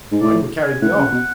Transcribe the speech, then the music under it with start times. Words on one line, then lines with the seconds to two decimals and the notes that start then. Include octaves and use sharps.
Mine would carry beyond.
0.12 G#2
0.21 A2 D5
0.62 G#5
0.82 A2 F#5
0.97 C#3
1.12 B2